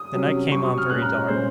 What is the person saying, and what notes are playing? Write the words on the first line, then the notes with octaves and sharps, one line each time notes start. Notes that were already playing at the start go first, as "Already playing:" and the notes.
The night came on very dark.
Already playing: D#6
C3 F#3 C#4
C3 F#3 C#4 C#6
D#6
F6
A#2 G#3 C#4 F#6
A#5
C#5
A#2 G#3 C#4 C5